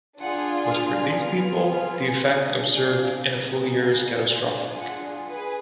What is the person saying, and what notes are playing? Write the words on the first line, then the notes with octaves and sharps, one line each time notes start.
But, for these people, the effect observed in a full year is catastrophic.
D4 F4 G#4 F#5
F6
B3 F4 G#4 F6
F6
D4 G#4 D#6
F5
B3 D#4 G#4
F5
D4 F4 G#4
F#5
G#4 B4